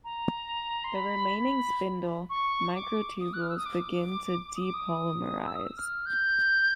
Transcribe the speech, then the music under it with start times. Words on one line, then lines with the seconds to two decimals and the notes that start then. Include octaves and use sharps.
The remaining spindle microtubules begin to depolymerize.
0.04 A#5
0.84 C6
0.95 B5
1.40 B5
2.30 C#6
2.75 D6
3.20 D#6
3.34 F#6
3.41 F6
3.49 E6
3.57 D#6
3.66 D6
4.56 D#6
4.65 D6
4.74 D#6
5.46 E6
5.55 D#6
5.65 E6
5.77 F6
6.06 G6